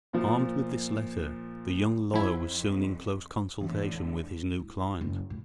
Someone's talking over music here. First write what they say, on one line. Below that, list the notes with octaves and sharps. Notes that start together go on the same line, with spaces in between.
Armed with this letter the young lawyer was soon in close consultation with his new client.
A#2 F3
F2 F3 E4 G#6
E2 A2 D3
E4
F#1
A2